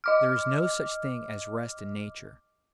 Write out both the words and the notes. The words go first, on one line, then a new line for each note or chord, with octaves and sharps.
There is no such thing as rest in nature.
D#5 D6 F6